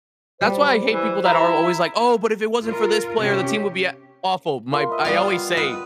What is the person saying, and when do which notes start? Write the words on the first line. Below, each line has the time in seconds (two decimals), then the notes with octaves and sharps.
That's why I hate people that are always like, "Oh, but if it wasn't for this player, the team would be a awful." My I always say
0.41 G3 C5
0.93 E3
1.24 E4 A#5
2.62 F4 A#4
3.19 C3 C#4 G4
4.71 F4 A#4 C6
4.89 B4 D#5 E5
5.05 G3 B3 D5 F5
5.30 F4
5.57 B4 D#5